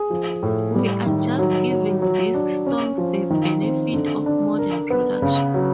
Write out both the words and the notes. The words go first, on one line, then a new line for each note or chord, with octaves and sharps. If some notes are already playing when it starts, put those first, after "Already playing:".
We are just giving these songs the benefit of modern production.
Already playing: G#4
F3
A2
G3
D#3
F#3
F#3
F#3
D4
C#4
F3
D#3
C4
D3
D4
A#4
B3
C#3
F#3